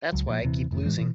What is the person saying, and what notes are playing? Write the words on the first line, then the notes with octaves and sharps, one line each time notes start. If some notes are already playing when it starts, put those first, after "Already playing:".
That's why I keep losing.
C#2 F#3
A#2 F3
D#1 C3 E3
F1 A2 D#3
A2 E3 G#3
B2 E3